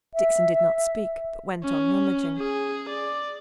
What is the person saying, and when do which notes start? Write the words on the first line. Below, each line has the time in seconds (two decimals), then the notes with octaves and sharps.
Dixon did not speak, but went on rummaging.
0.14 E5
1.64 C#4
2.38 G#4
2.89 D5